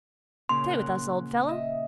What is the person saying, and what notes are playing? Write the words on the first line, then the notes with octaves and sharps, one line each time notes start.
"Stay with us, old fellow."
A#2 C#3 C6
A#4 F#5
D#5 E5